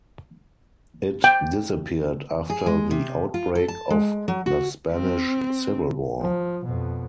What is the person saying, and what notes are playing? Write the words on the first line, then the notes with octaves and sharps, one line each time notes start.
It disappeared after the outbreak of the Spanish Civil War.
G5
G#4
G#3
C3
F4
A4
A5
G#3
F#3
F#4
C4
F3
F2 B2